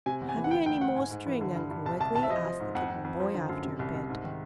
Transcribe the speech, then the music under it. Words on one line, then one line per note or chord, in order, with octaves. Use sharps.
"Have you any more string, Uncle Wiggily?" asked the kitten boy, after a bit.
C3 G#5
E2
G#5
E3
F#5
D2 G5
D2 G5
D2 F#5
G#2 G#5
G#2
E3
D3
G2
G2
C2 A5
C2 A5
C2 A5
E5
F3 D#5
F3
G#2
F2 F#5
F2
F2
F3
D3
F#2
C3
C2
C2
G#2
D#3